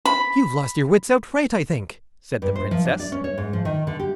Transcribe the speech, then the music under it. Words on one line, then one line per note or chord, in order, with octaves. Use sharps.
'You've lost your wits outright, I think', said the Princess.
B5
G2
C5
F3
D4
D5
C#4
C#5
G#2
F3
D#3
D3
G4